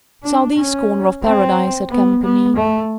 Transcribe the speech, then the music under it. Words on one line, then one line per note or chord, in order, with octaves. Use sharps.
"Southeast corner of Paradise," said Campany.
D4
C#4
C4
B3
B3
A3